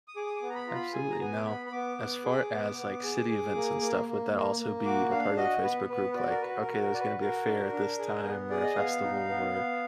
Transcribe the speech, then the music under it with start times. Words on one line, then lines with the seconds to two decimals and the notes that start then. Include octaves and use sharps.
absolutely. Now, as far as, like, city events and stuff, would that also be a part of the Facebook group? Like, "Okay, there's gonna be a fair at this time or a festival or
0.08 D#6
0.16 G#4 D6
0.27 D#6
0.36 D6
0.42 B3
0.50 A#5
0.55 B5
0.68 F4 A#5
0.74 B5
0.93 G#4 G#5
1.11 A#5
1.20 B3 G#5
1.37 D6
1.46 B3 B5
1.66 B5
1.72 B3 D6
1.98 B3
2.25 G#4
2.51 B3
2.76 B3
3.03 G#4
3.29 G#4
3.55 A#3
3.81 A#3
4.07 A#3
4.33 A#3
4.59 A#3
4.85 F#4 D6
5.11 D4 F5
5.37 F#4 D#5
5.63 B3 B4
5.89 B3 B4
6.12 B4
6.15 F#4 D5
6.30 A#4
6.41 F#4 B4
6.61 A#4
6.68 F#4
6.81 A#4
6.93 F#4 D5
7.00 B4
7.20 F#4 A#4
7.46 D4
7.72 D4
7.99 G#4
8.24 B3
8.50 G#4 D5
8.63 D#5
8.76 B3 F5
9.03 D#4
9.29 B3
9.54 B3